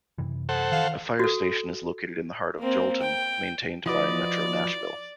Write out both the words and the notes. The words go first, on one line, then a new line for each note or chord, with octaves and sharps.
A fire station is located in the heart of Joelton, maintained by Metro Nashville.
F#2 C3 E3
A4 C5 F#5
D#3 E3 F5
F#4 A4
A#3 C4
G5
F3 E4 F#4 B4 D5 D#5 D6